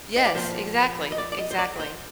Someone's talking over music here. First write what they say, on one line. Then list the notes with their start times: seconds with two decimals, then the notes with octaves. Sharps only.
Yes, exactly, exactly.
0.16 D#5
0.26 D5
0.35 A#2 F3 C5
1.12 D#5
1.18 D5
1.32 D5
1.38 D#5
1.51 C5
1.58 D5
1.80 C5